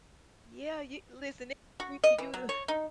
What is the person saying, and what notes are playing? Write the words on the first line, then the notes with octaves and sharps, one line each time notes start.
Yeah, you listen, it ain't for you to
F#4
D#5
E3
F#3
C#5
D#4